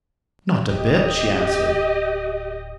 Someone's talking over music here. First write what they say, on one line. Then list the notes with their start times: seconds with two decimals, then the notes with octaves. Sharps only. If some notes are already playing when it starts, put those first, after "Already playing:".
"Not a bit," she answered.
0.69 D1 G4 D#5